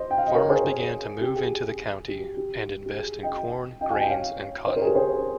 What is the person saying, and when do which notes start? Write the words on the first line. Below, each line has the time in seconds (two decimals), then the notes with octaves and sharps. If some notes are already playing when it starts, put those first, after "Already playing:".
Farmers began to move into the county and invest in corn, grains, and cotton.
Already playing: C5 D#5
0.11 G5
0.18 F5
0.27 D#5
0.35 A#4 C#5
0.49 G#4 C5
0.64 G#4
1.21 G4
1.36 G#4
2.08 G4
2.37 G4
2.86 G4
2.94 G#4
3.23 D#5 G5
3.81 D#5 G5
3.90 F5 G#5
4.00 D#5 G5
4.09 C#5 F5
4.67 C5 D#5
4.76 A#4 C#5
4.82 G#4
4.86 G4 A#4
4.95 G#4 C5